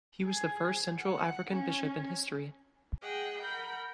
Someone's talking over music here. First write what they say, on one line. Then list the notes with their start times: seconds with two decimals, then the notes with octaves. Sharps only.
He was the first central African bishop in history.
0.24 G#4
0.97 F#5
1.50 C#4
3.02 G#4 D#5 F#5 G5
3.39 A#4 F#5 B5 G6